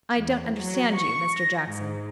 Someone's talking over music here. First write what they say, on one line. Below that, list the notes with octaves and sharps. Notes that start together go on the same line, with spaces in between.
'I don't understand you, Mr Jackson.'
E2
F#3
C#6
A#6
G#2